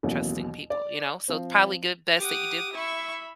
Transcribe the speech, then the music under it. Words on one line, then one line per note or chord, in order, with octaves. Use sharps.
trusting people, you know? So, it's probably good best that you did
A1 D#2 B2 E3 F#3
D5
F3 C4
G4 F#5 D6 D#6
E4 E5 B5 C#6